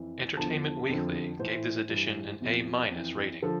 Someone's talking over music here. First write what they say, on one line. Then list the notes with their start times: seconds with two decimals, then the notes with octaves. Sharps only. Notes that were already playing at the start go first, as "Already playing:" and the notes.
"Entertainment Weekly" gave this edition an "A-" rating.
Already playing: F2 E3
0.37 E2 D3 F3 A5
0.89 F2 D3 F3
1.39 A2 E3 C5
1.89 G2 E3
2.40 E2 C3 F3
2.91 F2 E3
3.42 D3 F3 A4